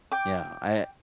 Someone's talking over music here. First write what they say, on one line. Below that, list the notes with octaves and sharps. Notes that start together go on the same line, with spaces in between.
Yeah. I
G5 D6